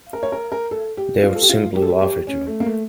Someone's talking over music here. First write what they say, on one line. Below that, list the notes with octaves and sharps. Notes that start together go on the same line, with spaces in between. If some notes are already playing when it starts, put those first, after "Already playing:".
They'd simply laugh at you.
A#4
C#5
A#4
A#4
A4
G4
F4
A4
G4
F4
G4
A4
G4
G4
C#4
A3
A#3
A3